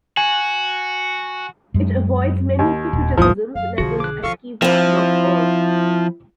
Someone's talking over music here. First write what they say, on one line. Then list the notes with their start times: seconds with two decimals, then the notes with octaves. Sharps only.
It avoids many of the criticisms levelled at Kiva dot org.
0.17 F#4 G#5
1.74 F#2 G#3
2.59 D#2
2.93 D#1
3.17 D1 G#1 G2 F3 D#6
3.55 F#2 F5
3.78 B1 D3 F3 F#4 G#4
4.00 D6 F#6
4.23 D#3 F3 F#4 A4 F5 C#6
4.62 F3 C4 E4